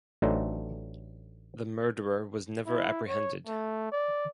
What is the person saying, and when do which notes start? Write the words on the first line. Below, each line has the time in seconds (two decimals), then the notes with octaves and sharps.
The murderer was never apprehended.
0.22 A1 F#3 A3 D4 D#4 C5
2.66 E4
3.08 C#5
3.47 A3
3.92 D5